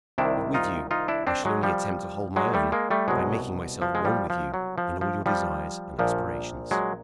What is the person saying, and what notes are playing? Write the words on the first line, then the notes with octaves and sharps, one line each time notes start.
But with you I shall only attempt to hold my own by making myself one with you in all your desires and aspirations.
C2 C3 D#3 D4 E4
D#4 F4
D#4 F4
D4 E4
C4 D4
F#3 G#3
F3 G3
F#3 G#3
G3 A3
G#3 A#3
G3 A3
C2 B2 F#3 G#3
F3
G#3
F3 G3
F3
F#3
F3
F3
F3 G3
A#1 A#2 F3
F#3 G#3